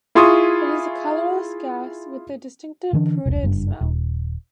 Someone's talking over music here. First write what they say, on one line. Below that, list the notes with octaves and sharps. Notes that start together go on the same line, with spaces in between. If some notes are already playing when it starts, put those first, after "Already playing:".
It is a colorless gas with a distinctive putrid smell.
E4 F4 G#4 C6 C#6 D#6
D3 E3 C#4 D4
E1 C2
F#1 G2
D#1